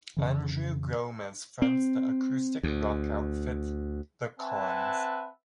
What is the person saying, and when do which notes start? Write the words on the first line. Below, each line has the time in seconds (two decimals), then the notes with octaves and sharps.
Andrew Gomez fronts the acoustic rock outfit, The Cons.
0.17 F2 C#3 E3
1.62 C4
2.63 D2
4.40 C4 B4 E5 F#5 G#5 A5